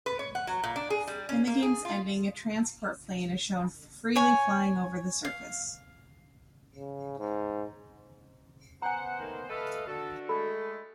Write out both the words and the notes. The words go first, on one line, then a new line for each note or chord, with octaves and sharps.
In the game's ending, a transport plane is shown, freely flying over the surface.
B4
C#5
F#5
F#3
A#2
D4
G#4
G3
C#4
A#3
G#4
F4
C#5 G#5
F5
C#3
G#2
B3 C5 F#5 G#5 A#5
D#3 A3 A#3
A3 A4 B4 D#5 F5
D3 F#4 A4
G#3 A3 A4 B5